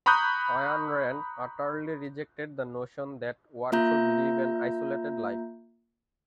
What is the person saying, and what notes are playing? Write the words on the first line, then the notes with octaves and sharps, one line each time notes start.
Ayn Rand utterly rejected the notion that one should live an isolated life.
A#5 B5 C#6 D#6 F#6 G6
A#3 F4 E5 A#5 G6